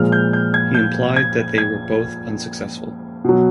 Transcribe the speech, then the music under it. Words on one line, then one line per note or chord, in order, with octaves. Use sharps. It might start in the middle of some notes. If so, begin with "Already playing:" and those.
He implied that they were both unsuccessful.
Already playing: A#2 F3 G#3 F6
G6
G6
G#6
G6
G#6
G#6
B2 F#3